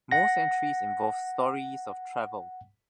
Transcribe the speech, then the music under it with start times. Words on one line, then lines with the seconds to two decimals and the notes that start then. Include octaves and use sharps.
Most entries involved stories of travel.
0.12 F#5 A#6